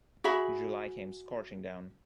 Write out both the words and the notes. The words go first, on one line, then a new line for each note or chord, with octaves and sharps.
July came scorching down.
F#4 G#4 E5 B5